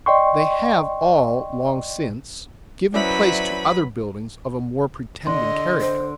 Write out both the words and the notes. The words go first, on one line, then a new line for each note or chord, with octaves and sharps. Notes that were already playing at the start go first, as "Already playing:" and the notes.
They have all, long since, given place to other buildings of a more pretending character.
D5 D#5 G5 C6 C#6
F#3 C#4 E4 B4 C5 D5 E5 B5
D3 D#5 C6
C5